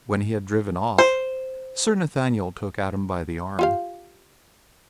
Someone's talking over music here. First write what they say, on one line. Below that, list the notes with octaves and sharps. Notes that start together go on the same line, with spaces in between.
When he had driven off, Sir Nathaniel took Adam by the arm.
C5
F4 G4 F5